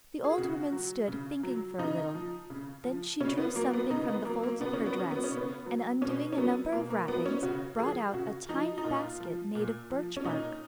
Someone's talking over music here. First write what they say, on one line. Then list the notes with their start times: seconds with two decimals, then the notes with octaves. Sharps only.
The old woman stood thinking for a little: then she drew something from the folds of her dress, and, undoing a number of wrappings, brought out a tiny basket made of birch-bark.
0.25 G#4
0.38 C#3 F#4
0.72 F#3
1.08 C#3
1.43 F#3
1.78 C#3 D#4
2.14 F3
2.50 C#3
2.84 F3
3.20 C#3 C#4
3.38 B3
3.55 F#3 A#3
3.74 B3
3.90 C#3 D#4
4.08 B3
4.25 F#3 A#3
4.43 A#3
4.61 C#3 B3
4.73 C#4
4.86 B3
4.96 F#3 C#4
5.11 B3
5.24 C#4
5.31 C#3 B3
5.66 F#3
6.02 B2 C#4
6.32 C#4
6.37 F#3 B3
6.72 B2 A#3
6.90 A#3
7.08 F#3 B3
7.26 C#4
7.43 C#3 F#4
7.79 F3 G#4
8.13 C#3 F#4
8.49 F3 D#4
8.78 D#4
8.84 A#2 F4
9.20 F3
9.55 A#2
9.90 F3
10.17 C#4
10.25 A#2 D#4